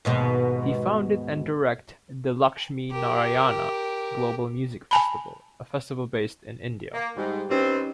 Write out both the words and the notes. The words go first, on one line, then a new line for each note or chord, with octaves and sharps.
He founded and directs the Lakshminarayana Global Music Festival, a festival based in India.
D#2 G#2 B2
G4 A#4
G#5 A5 B5
A#3
G#2 G3
G2 C4 C#4 D#4 G4